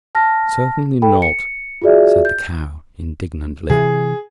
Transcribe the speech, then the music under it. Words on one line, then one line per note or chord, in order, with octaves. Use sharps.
"Certainly not," said the Cow, indignantly.
A5 F6 A#6
A4 G5 B5
C#7
F4 F#4 G#4 D5 E5
G6
C3 E3 G#4